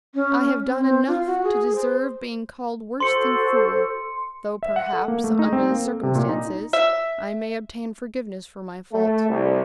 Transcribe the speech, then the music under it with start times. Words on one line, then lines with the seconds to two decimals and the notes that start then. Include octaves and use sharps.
I have done enough to deserve being called worse than fool; though perhaps, under the circumstances, I may obtain forgiveness for my fault.
0.15 C#4
0.66 C4
0.82 C4
1.07 F4
1.27 F#4
1.44 G#4
1.76 C5
3.00 F#4 A4 C5 C6 C#7
4.63 E5
4.76 F#5
4.93 A4
5.08 A#3
5.24 A3
5.39 D#4
5.53 C4
5.71 A#3
5.85 A4
6.03 C3
6.15 A#2
6.29 D#4
6.73 E5
8.92 A3
9.29 C2